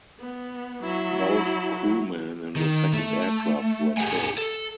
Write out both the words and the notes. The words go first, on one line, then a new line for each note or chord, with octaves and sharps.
Both crewmen in the second aircraft were killed.
B3
F#3 E4
D#3
A3
G4 G#4 B4 E5 F#5 G#5
A4